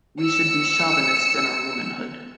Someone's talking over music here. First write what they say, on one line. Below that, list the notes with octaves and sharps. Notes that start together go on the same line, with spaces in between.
We should be chauvinist in our womanhood.
E6 C#7